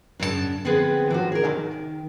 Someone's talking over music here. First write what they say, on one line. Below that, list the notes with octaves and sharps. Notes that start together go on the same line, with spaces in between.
No luck!
F#2 C#3 D4 E4 A5
D3 F3 B3 C4 G#4 B4
D#3 F3 F#4
G#4 A#4
D#3